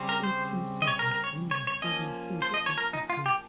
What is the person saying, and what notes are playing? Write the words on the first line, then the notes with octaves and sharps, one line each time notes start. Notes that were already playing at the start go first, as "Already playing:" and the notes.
It seems to have been the staple food of the Greeks.
Already playing: C#3 G3 C4
A#4
C5
D#5
C#5
A#4
A#4
C#5
C#5
C#5
F3 A#3 C#4 D#5
C5
D#5
C#5
A#4
D#4
F4
G4